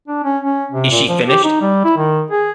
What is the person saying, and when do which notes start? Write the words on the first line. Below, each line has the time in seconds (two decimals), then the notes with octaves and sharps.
Is she finished?
0.08 D4
0.24 C#4
0.45 C#4
0.71 C3
0.91 A#2
1.08 F3
1.27 G4
1.44 D#4
1.61 G3
1.84 E4
1.97 D#3
2.31 G#4